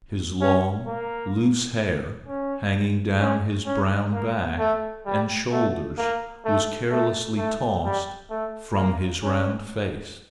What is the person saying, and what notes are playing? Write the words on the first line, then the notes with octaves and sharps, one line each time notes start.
His long, loose hair hanging down his brown back and shoulders was carelessly tossed from his round face.
C#4
A#3
C#4
C#4
C#4
A#3
A3
G3
A3
A#3
A3
A3
A3
G3
A3
A#3
C#4